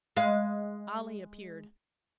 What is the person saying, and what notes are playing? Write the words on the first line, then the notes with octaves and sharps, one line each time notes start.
Ali appeared.
G#3 F5